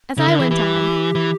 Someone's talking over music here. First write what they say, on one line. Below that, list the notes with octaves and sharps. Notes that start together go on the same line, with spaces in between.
As I went on!
C#3 A4
D3 A#4
E3 G#4
E3 G4
E3